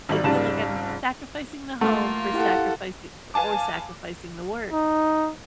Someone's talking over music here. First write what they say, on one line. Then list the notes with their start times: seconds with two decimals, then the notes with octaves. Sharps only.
I feel like I'm sacrificing the home for sacrifici or sacrificing the work,
0.09 G#1 F#3 G3 F#7
0.23 F1 C#2 G#2 G3 A5 E7
1.81 A3 A#3 F4 F#5
2.33 E4 G4 A4 F5 F#5
3.34 B4 F5 G#5 A5 D6
4.71 D#4